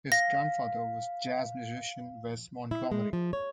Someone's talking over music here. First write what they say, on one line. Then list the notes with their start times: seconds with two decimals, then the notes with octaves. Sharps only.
His grandfather was jazz musician Wes Montgomery.
0.12 F5 A#6
2.71 E4
2.92 G#3
3.13 F3
3.33 C#5